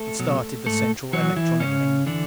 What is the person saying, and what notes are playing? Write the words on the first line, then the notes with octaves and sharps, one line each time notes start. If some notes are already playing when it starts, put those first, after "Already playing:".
And started the central electronic engine.
Already playing: A3 A4
B2 F#3
G#2 A3 A4
E3 F#3 F#4
E3 E4
G#2 C#3 C#4
D3 E3 D4